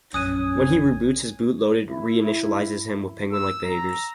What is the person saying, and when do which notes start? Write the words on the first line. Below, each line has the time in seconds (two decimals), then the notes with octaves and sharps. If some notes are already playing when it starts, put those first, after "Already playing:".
When he reboots, his boot loader reinitializes him with penguin-like behaviors.
0.14 A#1 F#2 C#4 G#5 D#6 F#6 D#7
1.88 E4
3.33 E6
3.64 A#5